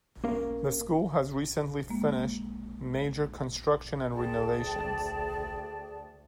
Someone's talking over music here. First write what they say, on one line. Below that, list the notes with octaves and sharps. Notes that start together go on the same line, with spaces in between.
The school has recently finished major construction and renovations.
A#3 C#4 A#4 F5
G#3 A#3
D2 G#4 D5 G5 A5